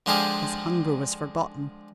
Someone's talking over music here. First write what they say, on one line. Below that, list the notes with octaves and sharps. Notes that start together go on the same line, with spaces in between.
His hunger was forgotten.
D3 F3 G#3 F4 G4 G#4